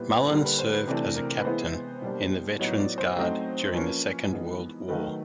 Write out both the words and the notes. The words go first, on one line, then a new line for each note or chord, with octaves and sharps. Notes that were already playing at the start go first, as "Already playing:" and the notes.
Mullin served as a captain in the Veterans Guard during the Second World War.
Already playing: A#2 G3 B3 E4 B4 C5
B4
D3 G3 A#3 A#4
B4
C5
B4
C3 E3 A3 D4
A#4
B4
E3 G#3 B3 E4 C5
B2 G3 A#3 D4
A2 F#3 B3 D#4 C#5
D5
C5
F#3 A3 C4 D#4
F3 A#3 C#4 B4
E3 G#3 B3 D#4
D#3 F#3 A3 B4